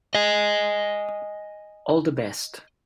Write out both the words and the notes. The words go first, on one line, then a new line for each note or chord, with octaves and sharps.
All the best.
D#5 G#5